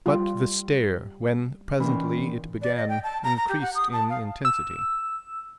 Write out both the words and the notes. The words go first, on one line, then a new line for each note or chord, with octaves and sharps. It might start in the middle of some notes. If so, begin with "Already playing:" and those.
But the stare, when presently it began, increased in intensity.
G3 F4
A#2 D#3 E3 C#4 B5
D5
D#5
G5
A5
A#5
A#5
G4
F#5
D#6
A5
F5
E6